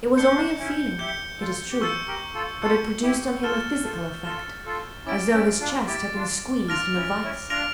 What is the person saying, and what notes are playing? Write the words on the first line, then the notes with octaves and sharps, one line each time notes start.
It was only a feeling, it is true, but it produced on him a physical effect, as though his chest had been squeezed in a vice.
D4 G6 C#7 G7
C#4
A#3 D4
C#4 E4
E4 G4 G6 C#7 G7
F4 A4
G4
F4 A4 C#6 E6 G6 C#7
G4 A#4
F4 A4
F4 A4 C#6 E6 G6 C#7
E4 G4
F4 A4 F6 A6 E7 G7
F4 A4
F4 A4 F6 A6 E7 G7
F4 A4
C#4 E4 D6 A6 D7
C#4 E4
D4 F4
E4 G4 D6 A6 D7
D4 F4
D4 F4 F6 A#6 D7 F7
C#4 E4
C#4 E4
D4 F4 F6 A#6 D7 F7